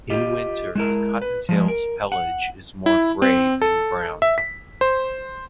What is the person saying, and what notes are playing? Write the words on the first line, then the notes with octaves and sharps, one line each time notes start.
In winter the cottontail's pelage is more gray than brown.
F4 G4 D#5
G#3 E4 A#4
B4
F3 G3 G#3
A#4
F#5
E4
C4
A4
E5
B6
C5